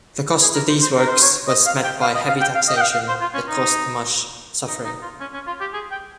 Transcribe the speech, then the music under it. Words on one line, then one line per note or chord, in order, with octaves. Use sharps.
The cost of these works was met by heavy taxation that caused much suffering.
G#4
A#4
C5
C5
A#4
C5
C#5
D#5
F5
G5
F5
D#5
F5
G5
F5
D#5
G5
F5
F5
C5
F4
C#4
D#4
D#4
D#4
F4
C#4
C#4
F4
G4
G#4
G5